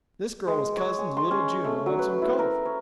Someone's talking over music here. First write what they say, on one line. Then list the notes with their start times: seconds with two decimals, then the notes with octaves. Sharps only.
This girl was cousin to little June in Lonesome Cove.
0.47 G#3
0.77 C#5
0.98 G#5
1.17 C6
1.31 C#4
1.64 A3
1.86 F#3
1.99 B4
2.22 E4
2.39 A#4
2.65 C#5